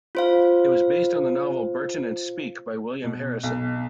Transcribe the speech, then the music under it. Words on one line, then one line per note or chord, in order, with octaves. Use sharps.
It was based on the novel "Burton and Speke" by William Harrison.
F4 C5 F5
B2
B1